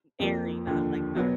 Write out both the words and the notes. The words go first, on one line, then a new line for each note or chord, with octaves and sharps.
airy, not, like, dark.
F2 F3 A#3
D#2 D3 F3
B2 F#3 B3